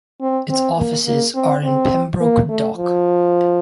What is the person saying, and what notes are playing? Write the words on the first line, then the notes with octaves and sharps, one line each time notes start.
Its offices are in Pembroke Dock.
C4
C4
A#3
A#3
C4
C4
A#3
A3
F3